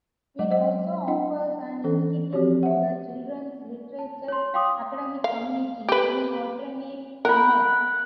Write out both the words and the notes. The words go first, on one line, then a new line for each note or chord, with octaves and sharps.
It also offers an institute to the children's literature academic community in alternate summers.
F#3 G#3 D#5 F#5
C5 D#5 F#5
D4 E4 D#5 F#5
E3 C#4 D4 A4
F3 C4 F#4 G4 C#5
E5 F#5
A5
C#5 C6
F5 G5 C6 D6 D#6
F5
G4 B4
A#4 F#5 G5 B5